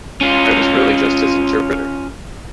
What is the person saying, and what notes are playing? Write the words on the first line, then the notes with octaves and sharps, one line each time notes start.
I was really just his interpreter.
C#4 F4